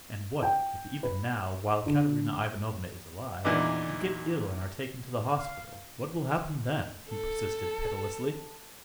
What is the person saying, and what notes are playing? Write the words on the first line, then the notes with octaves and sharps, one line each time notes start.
"And, what, if even now, while Katerina Ivanovna is alive, you get ill and are taken to the hospital, what will happen then?" he persisted pitilessly.
G5
B4
D3
E2 A#2 D#3 E3 D4 D#4
F5
A4 A5